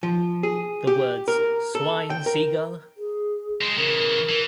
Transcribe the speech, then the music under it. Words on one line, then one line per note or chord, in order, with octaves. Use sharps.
The words Swine seagull!
F3
G#4
G4
A#4
A4
G5
A#4
G#4
G#3 C4
C#3 E3 A#4
E3